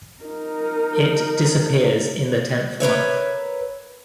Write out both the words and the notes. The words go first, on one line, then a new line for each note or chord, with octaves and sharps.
It disappears in the tenth month.
D#4 A#4
A#4 B4 C#5 E5